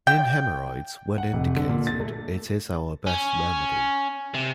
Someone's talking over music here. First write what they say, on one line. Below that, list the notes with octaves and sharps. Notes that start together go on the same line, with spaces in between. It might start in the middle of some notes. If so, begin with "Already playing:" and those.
In hemorrhoids, when indicated, it is our best remedy.
G5
F#5
F1
D3
A#2
A6
A3
C#4
C3